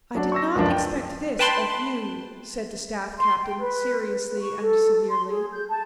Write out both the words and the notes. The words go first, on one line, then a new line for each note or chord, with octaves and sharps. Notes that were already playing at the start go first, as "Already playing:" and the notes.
"I did not expect this of you," said the staff captain seriously and severely.
F#3 D4 F#4
C#6 E6 A#6
C#2 F#2 F3 D4
G5
B4 G5 A5 B5 C6
C6
G5
B4
B4
C#6
A4
C6
G#4
G6
A5